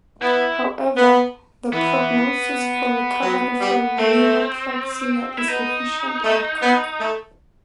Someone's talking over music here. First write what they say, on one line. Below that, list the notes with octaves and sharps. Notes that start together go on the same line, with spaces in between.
However, the prognosis for recovery from neurapraxia is efficient and quick.
B3 E4
B3
E3 B3
F#3
G3
A3 C4
E4
B3 D#4
A3
B3
A3